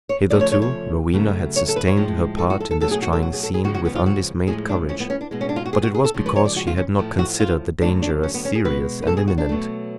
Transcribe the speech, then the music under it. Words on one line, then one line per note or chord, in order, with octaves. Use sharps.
Hitherto, Rowena had sustained her part in this trying scene with undismayed courage, but it was because she had not considered the danger as serious and imminent.
C#5
C#3 F3 A3 D5
C#5
C#5
C#5
C#3 F#3 A3
C#5
A4
B4
C#5
A2 F3 G#3
A4
F#4
A4
A4
B2 F#3 A3 A4
G#4
F#4
A4
F#4
G#4
A4
G#4
C#3 F3 G#3 F#4
F#4
B3
F4
F#4
A2 F3 G#3 G#4
D4
C#4
B3
C#4
D4
B2 G#3
C#4
D4
F4
F#4
G#4
F#4
G#4
A4
C#3 F3 G#3
B4
C#5
D5
F#4
F4
C#4
A2 F3 A3
F#4
F4
D3 F#3 A3 D4
D4
C#4
B3
C#4
G#4
B2 G#3 B4
B4
A4
G#4
F#4
D4
B2 F#3 A3